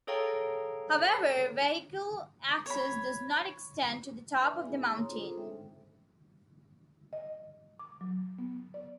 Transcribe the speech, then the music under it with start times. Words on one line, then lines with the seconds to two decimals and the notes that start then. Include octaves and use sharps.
However vehicle access does not extend to the top of the mountain.
0.07 G#4 A4 C#5 F5 G5 A#5
2.66 C#5 B5
4.40 D4 B4 D5 E5 G#5 D6
4.63 B3 D#4 E4 G#4
4.96 C#5 A#5 C6 D#6
5.09 C4 D4 F4 G#4 A4 C5
5.37 G#3 D#4 A4 E5 G5
7.13 D#5
7.79 D6
8.01 F#3
8.39 B3
8.74 D5